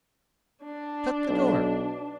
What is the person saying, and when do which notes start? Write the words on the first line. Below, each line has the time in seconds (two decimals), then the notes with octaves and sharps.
Shut the door!
0.63 D4
1.29 B1